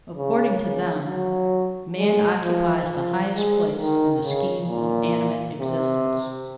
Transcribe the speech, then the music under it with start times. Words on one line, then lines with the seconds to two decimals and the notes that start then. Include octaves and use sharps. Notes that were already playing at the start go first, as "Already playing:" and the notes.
According to them, man occupies the highest place in the scheme of animate existence.
0.17 C#3
0.62 C#3
1.06 F#3
1.98 G#3
2.43 F3
2.88 F3
3.34 G#3
3.78 D#3
4.24 C#3
4.69 A#2
5.59 C3